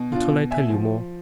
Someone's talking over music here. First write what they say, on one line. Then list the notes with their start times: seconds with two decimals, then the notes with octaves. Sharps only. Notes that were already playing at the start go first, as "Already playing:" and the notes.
What shall I tell you more?
Already playing: B2
0.12 D4 F4
0.32 B2
0.51 E5 G#5
0.70 F3